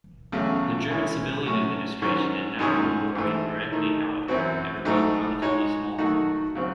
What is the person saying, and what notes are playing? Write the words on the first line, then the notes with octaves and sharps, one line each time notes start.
The German civilian administration did not rule Norway directly, however, and remained relatively small.
E2 C#3 F#3 A3 C#4
E3 G#3 C#4 E4
A2 F#3 C#4
G#2 D#3 F#3 C#4
F#2 D#3 G#3 C#4 G#4
G#2 E3 A3
D#3 A3 D#4
F#2 E3 C4 F#4
G#2 F#3 A3 D#4
G#3 D#4 F#4 C#5
D#3 F#3 A3 D#4 F#4
C#3 F#3 C4